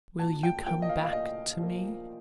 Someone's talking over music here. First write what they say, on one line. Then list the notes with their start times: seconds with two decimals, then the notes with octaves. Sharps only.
"Will you come back to me?"
0.19 A#2 A5
0.43 G5
0.66 F3 A#3 G5
0.82 D#5
0.89 F5
1.04 F5
1.13 A#2 D#5
1.59 F3 A#3